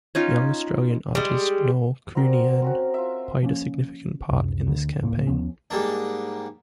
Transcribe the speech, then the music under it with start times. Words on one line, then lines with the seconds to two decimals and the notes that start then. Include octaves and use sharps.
Young Australian artist Noel Counihan played a significant part in this campaign.
0.15 C#4 D#4 F4
1.15 G3 G#3
2.15 C4 F#4 A#4 D5
2.62 C4 C#4 F#4
2.94 F4 E5
3.43 F3 A#3 C#4
4.30 C#2 F#2 C3
4.67 D2
5.01 D1 A2 A#3
5.27 D#2 F3 B3 C#4
5.70 G#2 G3 A#3 D4